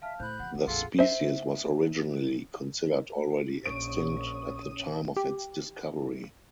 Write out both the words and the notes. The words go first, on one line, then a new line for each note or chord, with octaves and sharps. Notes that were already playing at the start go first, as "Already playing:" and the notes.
The species was originally considered already extinct at the time of its discovery.
E5 F5 A5 F6
A2 C5 B5 F#6 G6
D#3 F3 F#5
D#3
A#1 F2 F4 G#4 A4 F#5
C5 E5
A#1 C#4 C#6 D#6 D7
G4